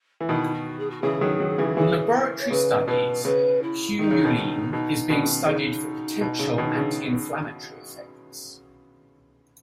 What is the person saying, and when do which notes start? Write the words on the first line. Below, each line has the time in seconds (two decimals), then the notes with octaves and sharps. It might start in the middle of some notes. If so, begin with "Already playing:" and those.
In laboratory studies, humulene is being studied for potential anti-inflammatory effects.
0.20 E3
0.29 B2 D#3 E4
0.53 F#4
0.79 G#4
0.90 F#4
1.02 C#3 E3 G#4
1.21 D#3 F#3
1.40 D#3 F#3
1.58 C#3 E3
1.77 C#3 E3 G#4
2.14 A#4
2.40 C#5
2.50 C#3 B4
2.87 B2 B4
3.25 C#3 B4
3.62 E4
3.99 D#3 D#4
4.11 C#3
4.24 B2 D#3
4.36 D#4
4.73 B2 D#4
5.09 B2 D#3 C#4
5.46 C#3 D#4
6.21 B2
6.39 C#3
6.58 B2 D#3
6.76 C#3